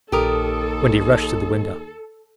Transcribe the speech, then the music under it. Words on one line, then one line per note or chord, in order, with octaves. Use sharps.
Wendy rushed to the window.
A#1 D#2 G4 A4 A#4 D#6